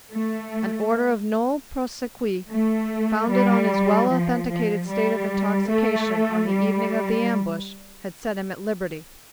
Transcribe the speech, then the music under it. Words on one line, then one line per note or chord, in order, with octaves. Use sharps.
An order of nolle prosequi, founded on his well authenticated state of intoxication on the evening of the ambush, had set him at liberty.
A3
A3
G3
F3
F3
G3
A3
G3